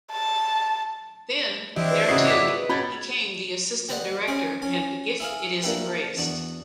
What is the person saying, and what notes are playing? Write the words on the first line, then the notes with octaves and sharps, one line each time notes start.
Then, there, too, he came the assistant director and if it is embraced.
A5
E3 C4 D4 E4 G4 D#5
B4
C#3 F#4 G#4 D#5 D#6 C7
D6 B6
B4
B2 C#4 G5 A#5 B5 G#6 A6
G4 B4 C5 D5 D#5 F#5
C#4 G#4 C5
C#4 G#5
E4 G#4 F5
A#3 D4 E4 G4 B4
E2 D4 F#4